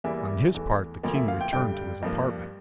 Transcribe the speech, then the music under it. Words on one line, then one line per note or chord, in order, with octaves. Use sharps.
On his part the king returned to his apartment.
E2 E3 G3 A#3 E5
E2 E3 A3
D2 D3 F3 A#3
E5
F5
G5
G2 D3 G3 G5
G2 F3 A#3